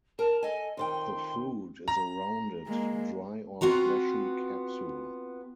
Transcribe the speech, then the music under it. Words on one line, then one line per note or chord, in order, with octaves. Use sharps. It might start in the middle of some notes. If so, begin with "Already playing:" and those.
The fruit is a rounded, dry or fleshy capsule.
A#4 A5
A4 D#5 G#5
F2 D#3 G5 C6
A#5
G#3 A#3
B3 C4 F4 F#4 A#5